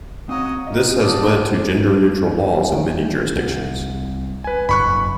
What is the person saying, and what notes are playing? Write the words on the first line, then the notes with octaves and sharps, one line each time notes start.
This has led to gender-neutral laws in many jurisdictions.
C4 F#4 C#5 D#5 F5 A#5
D#3 F3 D#5
G4 A4 C5 D5 D#5
G2 A#2 D4
D#3 G3
C2
B4 G#5
F#1 F2 G#2 B5 C#6 F#6